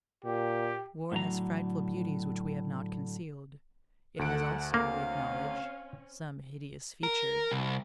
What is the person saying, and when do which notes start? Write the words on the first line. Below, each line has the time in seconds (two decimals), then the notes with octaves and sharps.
War has frightful beauties which we have not concealed; it has also, we acknowledge, some hideous features.
0.25 A#2 G4
1.12 A2 D3 D#3 F#3 A#5
4.19 D2 A4 F#5 D7
4.74 A#3 C4 C#4 F5
7.03 A#4
7.51 C2